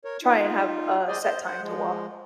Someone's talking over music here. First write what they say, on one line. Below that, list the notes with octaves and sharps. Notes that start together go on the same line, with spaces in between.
try and have a set time to walk.
A#4 C#5
D#4 F4
G#4 C5 D5 D#5 G#5
C5 D#5
C5 F#5
F3 G#3